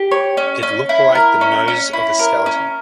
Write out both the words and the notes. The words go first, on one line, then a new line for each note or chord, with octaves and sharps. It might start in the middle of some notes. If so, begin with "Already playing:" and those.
It looked like the nose of a skeleton.
Already playing: G4
C#5
C#4
C#4
E4
A#4
C#4
C#4
E4
A#4
C#4